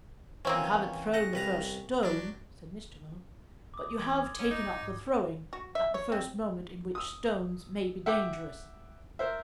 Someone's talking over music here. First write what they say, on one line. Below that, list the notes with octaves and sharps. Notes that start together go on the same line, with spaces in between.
"You haven't thrown the first stone," said Mr. Low; "but you have taken up the throwing at the first moment in which stones may be dangerous."
E3 A#3 C4 C#4
D#5 F#5
C2 B4 A#5
F#3 D4
D6 D#6
E3 C6 G#6
G1 C#4
D#4 D6
G#1
G#2
F#4
E5
C#5
C4
D#6 E6
E5 F#5 G5 D6
A#4 C5 E5